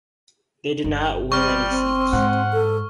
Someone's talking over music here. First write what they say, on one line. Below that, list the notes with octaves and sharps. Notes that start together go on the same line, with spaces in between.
They did not win any seats.
G1
G3 C4 C#6 F6
C4
G#2 F#5
A4